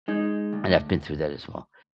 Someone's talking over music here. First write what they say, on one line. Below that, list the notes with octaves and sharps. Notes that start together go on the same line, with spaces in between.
and I've been through that as well,
G#3 D#4
D2